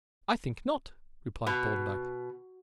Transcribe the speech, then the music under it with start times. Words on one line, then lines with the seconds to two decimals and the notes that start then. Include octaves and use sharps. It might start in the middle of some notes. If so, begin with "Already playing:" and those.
"I think not," replied Thorndyke.
1.47 B2